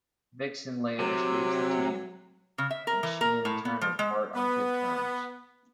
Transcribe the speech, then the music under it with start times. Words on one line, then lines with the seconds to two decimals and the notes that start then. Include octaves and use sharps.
Vixen laters leaves the team, and she and Turner part on good terms.
0.99 C3 F#3
2.58 C#3
2.71 E5
2.87 A#4
3.03 E3
3.21 A#4
3.45 A2
3.65 B3
3.81 F3
3.99 G#3
4.35 B3